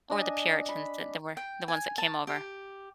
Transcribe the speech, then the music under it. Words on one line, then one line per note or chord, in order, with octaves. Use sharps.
Or the Puritans that that were the ones that came over.
D4 D#5 G#5
B5
G5
G#5
A5
G4